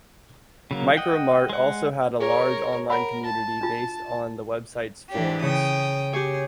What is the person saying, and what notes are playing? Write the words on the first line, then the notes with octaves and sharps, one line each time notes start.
Micro Mart also had a large online community based on the website's forums.
C#3 F#3 A#3
D#5 F#5 G5
G#3 F#5
G#4 A#4 C#5
A#4 C#5 F#5 B5
A5
D4 F4
E3 D4 G4
C#3 G5 D#6
G4 G#4 C#5